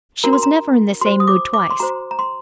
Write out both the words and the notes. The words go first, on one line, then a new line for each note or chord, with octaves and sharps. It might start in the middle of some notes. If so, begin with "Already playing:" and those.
She was never in the same mood twice.
D4 F#4 A#4 A#5
C6
A#5
F#4 C5 C6
D#6
D6
D6
C6
F#4 C5 A#5
A#5
C6